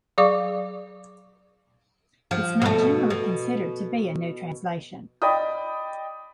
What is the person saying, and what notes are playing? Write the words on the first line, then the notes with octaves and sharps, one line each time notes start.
It is not generally considered to be a new translation.
F#3 G#4 D5 F5 C#6 D6
F3
B2 A3
B2
D5 D#5 G5 B5 D#6